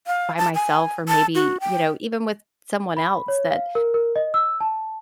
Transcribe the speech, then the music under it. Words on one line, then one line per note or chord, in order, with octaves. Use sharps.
by myself or maybe, you know, even with someone else, that
F5
A5
G#5
A5
F#4
G5
B5
C#5
F5
A#4
A#4
D#5
E6
A5